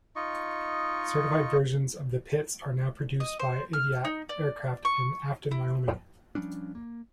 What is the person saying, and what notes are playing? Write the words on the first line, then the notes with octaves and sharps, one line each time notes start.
Certified versions of the Pitts are now produced by Aviat Aircraft in Afton, Wyoming.
D#4 F4 D#5 C#6
D#5
C5
F6
D#4
D5
C#6
E4
F3 G3 C#4 D4
A#3